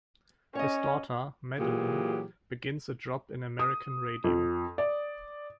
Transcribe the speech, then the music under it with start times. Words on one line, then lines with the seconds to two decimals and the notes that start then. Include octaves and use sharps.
His daughter, Madeline, begins a job in American radio.
0.55 C#4 C#5 D#5
1.59 A#2 E3 F#3 G4 G#4
3.59 D#6
4.24 F2
4.78 D5